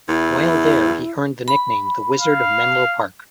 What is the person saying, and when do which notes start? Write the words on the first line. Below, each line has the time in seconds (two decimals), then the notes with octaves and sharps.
While there he earned the nickname the Wizard of Menlo Park.
0.09 E2 E4
1.48 B5
2.20 F5